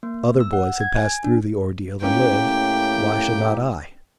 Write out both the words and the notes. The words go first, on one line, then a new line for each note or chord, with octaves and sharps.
Other boys had passed through the ordeal and lived, why should not I?
A#3
E6
F#5
G#6
G#5
D4
A2 A#3 C#4 G4 G5